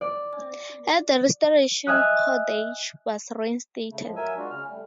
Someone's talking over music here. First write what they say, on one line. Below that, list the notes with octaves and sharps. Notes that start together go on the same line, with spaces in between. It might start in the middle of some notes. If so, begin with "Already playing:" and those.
At the Restoration Pordage was reinstated.
D5
D#5 E5 G#5 D#6 F6 F#6
C#3 A3
A2 F3 G#3
F#3 A#4 E5 G#5 E6
G#3 D4 F4 F#4
C#3 C#4 F6
G3 A3